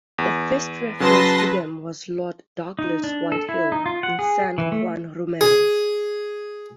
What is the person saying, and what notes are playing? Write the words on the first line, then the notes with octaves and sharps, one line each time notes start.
The first reference to them was Lord Douglas Whitehill in "San Juan Romero".
E2
C#3 F#3 G#4 B4 A5 C6 A#6
D#4
D4
A4
E4
D#4
F4
F#5
G#4
E3
A3
G#4